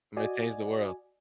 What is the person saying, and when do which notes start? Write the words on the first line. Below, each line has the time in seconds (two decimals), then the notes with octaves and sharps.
I'm gonna change the world.
0.17 F#4 D5 D#5 G#5